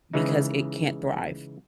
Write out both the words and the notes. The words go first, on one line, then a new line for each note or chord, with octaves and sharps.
because it can't thrive.
C#3 E3 G#3 D#4